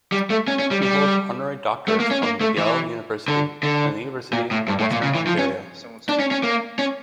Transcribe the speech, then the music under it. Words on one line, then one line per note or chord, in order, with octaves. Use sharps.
He holds honorary doctorates from McGill University and the University of Western Ontario.
G3
A3
C#4
C#4
G3
G3
A3
A#3
C#4
A#3
A3
E3
D3
D3
A#2
A2
G2
A2
A#2
C#3
E3
F3
C#4
D4
C#4
C#4
A#3
C#4